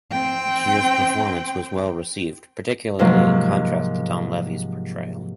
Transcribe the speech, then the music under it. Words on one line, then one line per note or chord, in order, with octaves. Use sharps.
Keir's performance was well-received, particularly in contrast to Donlevy's portrayal.
C4 G5
G#2 C3 F3 F#3 A#3